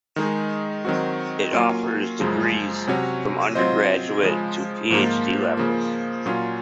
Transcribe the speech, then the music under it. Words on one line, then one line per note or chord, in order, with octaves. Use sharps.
It offers degrees from undergraduate to PhD level.
D#3 G#3 D#4 G#4
D#3 F#3 C4 F#4
F#3 A#3 C#4 F4
F#2 C#3 F3 G#3
C3 F#3 C#4 F#4 C#5
F#3 C4 F4 C5 D#5
C#3 F3 G#3
G#2 F3 A#3 F4
C#3 F3 A#3
A#2 F#3 C#4 F4